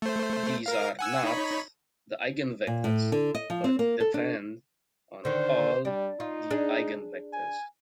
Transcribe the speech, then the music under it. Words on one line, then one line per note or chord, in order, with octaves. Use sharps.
These are "not" the eigenvectors, but "depend" on "all" the eigenvectors.
A3 C5
A#4 F5
F#5 G#5 E6
D#4 C#5 B5
A#2
A2
D3
D#5
F3
C4
A#3
A4
D4
D3 D#3 C5
G3 D4
D#4 F4
D4 G#4
G#5